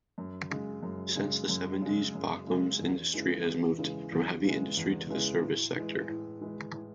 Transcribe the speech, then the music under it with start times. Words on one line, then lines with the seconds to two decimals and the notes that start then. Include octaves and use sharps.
Since the seventies, Bochum's industry has moved from heavy industry to the service sector.
0.18 F#2
0.50 C#3 G#3
0.83 F#2
1.16 C#3 G#3
1.49 F#2
1.82 C#3 G#3
2.15 F#2
2.47 C#3 G#3
2.79 E2
3.13 C#3 E3 G#3
3.46 E2
3.78 C#3 E3 G#3
4.12 E2
4.44 C#3 E3 G#3
4.77 E2
5.10 C#3 E3 G#3
5.42 A2
5.76 E3 G#3
6.08 A2
6.41 E3 G#3
6.74 A2